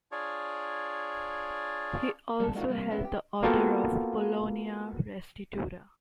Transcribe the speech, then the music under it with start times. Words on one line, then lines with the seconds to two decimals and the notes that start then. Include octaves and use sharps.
He also held the Order of Polonia Restituta.
0.12 D4 F4 G#4 C#5 D5
2.40 G3 A3 A4
2.54 G#3 A#3 D4 D#4 F4 F#4
2.68 C3 G3 A#3
2.90 G#2 A3 B3 C#4 E4
3.05 G4
3.43 A#3 B3 F4 F#4 A4 G5